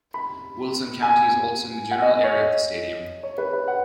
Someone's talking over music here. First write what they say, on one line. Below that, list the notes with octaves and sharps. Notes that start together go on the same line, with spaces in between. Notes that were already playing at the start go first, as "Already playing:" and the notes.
Wilson County is also in the general area of the stadium.
B5
G#5
F#5
D#5
D#5
C#5
D#5
C#5
B4
B4
F#5